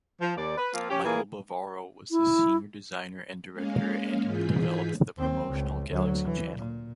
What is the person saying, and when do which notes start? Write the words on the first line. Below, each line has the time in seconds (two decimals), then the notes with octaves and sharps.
Michael Bavaro was the senior designer and director and developed the promotional Galaxy channel.
0.21 F3
0.37 D#2 D5
0.58 B4
0.73 F3 A#3 C4 F4
0.89 C#4 G4
1.05 A#2 E3 G3 A#3 G#4
2.11 E4
3.53 G#3 A#3 C#4 F5
4.24 G#2 E3 F4 G#4 G6 B6
5.18 D#2 C4
5.47 C#2
5.91 D2 F#3
6.24 E3
6.58 A#2